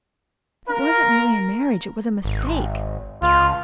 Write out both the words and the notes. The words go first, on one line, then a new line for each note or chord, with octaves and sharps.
It wasn't really a marriage; it was a mistake.
F4 A#4
G#1
C#2 F4